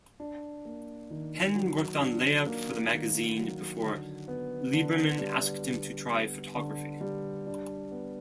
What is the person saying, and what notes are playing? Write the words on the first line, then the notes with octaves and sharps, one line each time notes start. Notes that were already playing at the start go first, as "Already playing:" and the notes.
Penn worked on layout for the magazine before Liberman asked him to try photography.
D4
A#3
D#3
F#3
D4
A#3
D#3
F#3
D3
B3
D3
G3
D3
B3
D3
G3
D4
B3